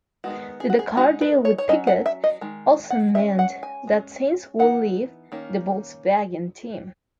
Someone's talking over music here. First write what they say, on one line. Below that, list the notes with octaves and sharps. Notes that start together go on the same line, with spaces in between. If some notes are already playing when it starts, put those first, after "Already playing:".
The Dakar deal with Peugeot also meant that Sainz would leave the Volkswagen team.
D#3 G#3 B3 F#4
G#4
F#4
G#4
G#3 D#4 F#4
B4
C#5
C#5
F#3 C#4 D#5
F#5
E5
D#5
D#3 G#3
F#5
G#3 C#4 E5
F#5
G#5
G#3 C#4
E3 B3 D#4 F#5
D#3 A#3 C#4